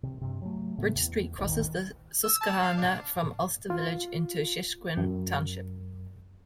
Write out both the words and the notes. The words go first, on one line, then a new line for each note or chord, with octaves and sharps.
Bridge Street crosses the Susquehanna from Ulster village into Sheshequin Township.
C3
G2 C3
F#3 A3
A2 C#3 A3 B3
E2
D#1 A1 D#3
E6
A5
F5
D4
F4
F#2